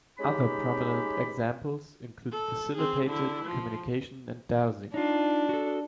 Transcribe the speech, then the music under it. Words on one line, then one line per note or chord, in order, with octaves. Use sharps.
Other prominent examples include facilitated communication and dowsing.
G#3 C#4 D#4 G4 B5
A4
C4 G#4
D3 E4
F3
D4 D#4 F4
F#4 A4